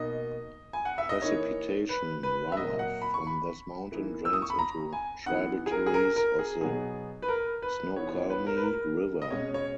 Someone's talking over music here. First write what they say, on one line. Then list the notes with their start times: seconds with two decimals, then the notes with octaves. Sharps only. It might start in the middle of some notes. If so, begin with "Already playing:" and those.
Precipitation runoff from this mountain drains into tributaries of the Snoqualmie River.
Already playing: B2 A#3 D#4 D#5
0.73 G#5
0.85 F#5
0.98 E5
1.09 D#5
1.22 E3 A#3 D#4 C#5
1.89 B4
2.23 B4
2.52 E5
2.57 A#2 F#3 A#3 D#5
2.79 F#5
3.02 B5
3.14 C#6
3.27 B5
3.92 E3 A#3 D#4
4.25 E6
4.33 D#6
4.42 C#6
4.50 B5
4.59 A#5
4.93 G#5
5.26 E3 B3 D#4 F#5
5.66 G#4
5.71 A#4
5.86 G#4
5.94 A#4
6.16 A#4
6.39 G#4
6.61 B2 F#3 B3 D#4 G#4
7.22 B4
7.28 A#4
7.62 B4
7.96 E3 B3 D#4 C#5
8.13 C#5
8.30 B4
8.47 A#4
8.57 B4
8.63 A#4
9.22 D#5
9.30 B2 G#3 C#4 C#5
9.54 C#5